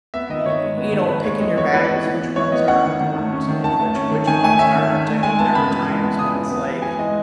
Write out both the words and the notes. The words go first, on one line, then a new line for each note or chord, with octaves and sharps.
y y you know, picking your battles, which ones are important and which which ones aren't, I mean, there are times when it's like
B3 E5
D#3 D#5
D#3 C#5
G#3
B3
D#3
D#3 B4
G#3 C#5
E3 D#5
B3 C#5
E3 B4
B3
E3
B3
E3 C#5
B3 D#5
C#4 F#5
D#3
D#3
A3
C#4
D#3
D#3 A5
A3
C#4
D#3
D#3 G#5
A3 G#5
C#4 E5
D#3
D#3
A3
G#3 G#5
B3 A5
C#3 B5
E3
G#3
B3
C#3 D#6
E3
B3
E3
E3 G#5
G#3 D#5